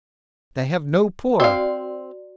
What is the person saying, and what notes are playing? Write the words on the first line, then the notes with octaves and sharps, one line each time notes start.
They have no poor.
C4 F#4 D5 F5